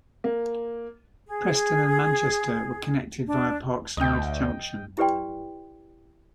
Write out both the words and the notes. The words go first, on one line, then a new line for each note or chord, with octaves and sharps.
Preston and Manchester were connected via Parkside Junction.
A#3
G#4
D4
D2 D#5 G5
E4 G4 B4 D5 G5 C6